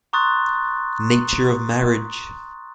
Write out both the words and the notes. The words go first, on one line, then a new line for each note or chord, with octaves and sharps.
Nature of marriage.
A#5 C6 C#6 D#6 F#6 A6